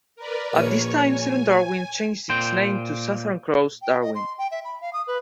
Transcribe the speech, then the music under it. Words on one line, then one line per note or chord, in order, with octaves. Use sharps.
At this time, "Seven Darwin" changed its name to "Southern Cross Darwin".
A#4 B4 D5
A#1 A#4 C#5 D#6
G#5
A#2 C5 G5
G5
D#5
C6
G5
E5
B5
F5
D#6
B4